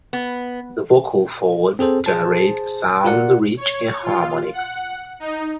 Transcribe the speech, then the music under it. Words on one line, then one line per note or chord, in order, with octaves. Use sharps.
The vocal folds generate a sound rich in harmonics.
B3
C4 G#4 A4 C5
G#4 C5 A5
F4 F#4 A#4 D5 F#5
C#5
F4
F#5
D#4